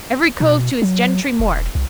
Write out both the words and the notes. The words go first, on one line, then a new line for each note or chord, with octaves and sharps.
Every cove to his gentry mort.
B2
F#3
E1
C2